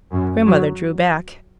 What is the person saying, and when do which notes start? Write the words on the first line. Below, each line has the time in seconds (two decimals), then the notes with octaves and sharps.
Grandmother drew back.
0.12 F#2
0.46 F#3